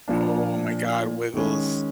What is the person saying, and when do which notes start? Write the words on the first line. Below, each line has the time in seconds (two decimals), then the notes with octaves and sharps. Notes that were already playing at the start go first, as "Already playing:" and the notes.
Oh my god, Wiggles.
0.08 A#2 F3 A#3 D4
1.34 D#3 G#3 C#4